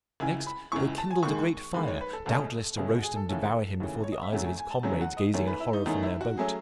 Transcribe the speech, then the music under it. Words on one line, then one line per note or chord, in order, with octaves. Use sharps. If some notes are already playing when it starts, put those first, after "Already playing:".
Next they kindled a great fire,--doubtless to roast and devour him before the eyes of his comrades, gazing in horror from their boat.
C#2 C#3 E3 G#5
B5
C#2 C#3 E3 C#6
A5
G#5
D#2 D#3 G#3 C#6
D#2 D#3 G#3 B5
C#5
B4
A4
C#2 B2 A3 C#4 A4
C#2 B2 A3 C#4 G#4
F#4
G#4
A4
D#2 C#3 E3 A3 C#4 A4
D#2 C#3 E3 A3 C#4
C#5
D#5
E5
E2 C#3 F#3 A3 C#4 F#5
G#5
G#5
A5
E2 C#3 F#3 A3 C#4 G#5
F#5
D#5
E2 D#3 A3 C#4 C#5
B4
E4
D#4
E2 D#3 A3 C#4 D#4
E4
F#4
F#3 A3 C#4 G#4